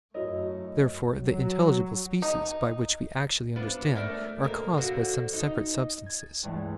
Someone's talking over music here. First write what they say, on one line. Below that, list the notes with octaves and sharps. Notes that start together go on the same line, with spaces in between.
Therefore the intelligible species, by which we actually understand, are caused by some separate substances.
F#2 A3 E4 F#4 A#4 C#5 D#5
F#3
D#4
B3 D4 F4
A3 A#4 D5
B2 A#3
D3 F3 F#4
D#4
G#6 A6
C#2 G2 E3 A3